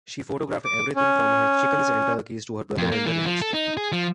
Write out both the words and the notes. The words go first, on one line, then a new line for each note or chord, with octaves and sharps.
She photographed everything from her chickens and turkeys to her brother and the landscape.
D6
C#4
F2
A#3
E3
F3
A4
D#4
G#4
F3